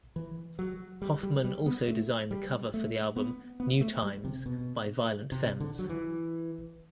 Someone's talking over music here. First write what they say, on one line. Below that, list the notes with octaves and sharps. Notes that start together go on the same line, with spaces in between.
Hoffman also designed the cover for the album "New Times" by Violent Femmes.
E3
F#3
G3
G3
G3
B3
A3
G3
A3
B3
B3
A3
G3
C3
B2
C3
D3
F#3
E3